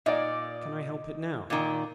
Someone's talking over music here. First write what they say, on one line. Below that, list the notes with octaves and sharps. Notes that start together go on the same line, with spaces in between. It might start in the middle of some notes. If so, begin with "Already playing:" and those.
"Can I help it now?"
A#2 D#4 D5
A#2 D#3